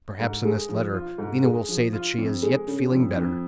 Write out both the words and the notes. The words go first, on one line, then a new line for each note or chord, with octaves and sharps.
Perhaps in this letter Lena will say that she is yet feeling better.
G#2
G#3
F3
F4
G#2
G#3
F3
F4
F2
G#3
C#3
F2
F2